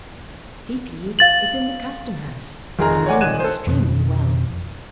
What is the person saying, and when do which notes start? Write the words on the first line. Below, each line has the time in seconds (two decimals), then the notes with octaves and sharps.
Peepy is in the Custom House, and doing extremely well.
1.19 F5 A6 F#7
2.79 F1 D#3 G#4 A#4 A#5
3.06 C#5 D5 F#5 G#5 D6
3.21 D#1 D#3 F#6 G#6 D#7 E7
3.40 A4 C5
3.67 F2 B2 D#3